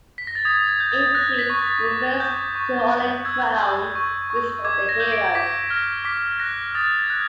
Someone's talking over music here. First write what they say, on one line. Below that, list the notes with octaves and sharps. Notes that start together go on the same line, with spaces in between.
In Greek it refers to the olive crown used for the hero.
B6
A#6
A6
D#6 G#6
G#6
G6
A6
F#6 A#6
B6
C#6
A6
D6
G6
C#6
F#6
E6 G#6
E6 G6
C#6
C#6
D6 G#6
A#6
G6
D7
D6 B6
F6 A#6
D6 B6
F#6 A#6
D#6 A6
G#6
F#6 G#6